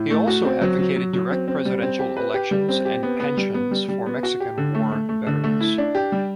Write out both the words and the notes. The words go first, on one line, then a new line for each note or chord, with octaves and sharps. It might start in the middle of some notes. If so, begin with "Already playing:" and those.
He also advocated direct presidential elections and pensions for Mexican War veterans.
Already playing: A2
A3
F#4
C4
F#3
F#3
F#3
F#3
C4
C4
G3
C4
G4
B4
G4
G3
C4
G4
B3
B3
G3
B3
G3
G3
B3
F#4
G4
D3
A3
A3
A3
D3
A3
E4
D4
G4
G3